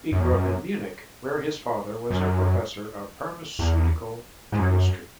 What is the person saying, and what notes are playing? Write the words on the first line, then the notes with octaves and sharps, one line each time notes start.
He grew up in Munich where his father was a professor of pharmaceutical chemistry.
F#2
E2
F#2
F#2
E2
G#2
F#2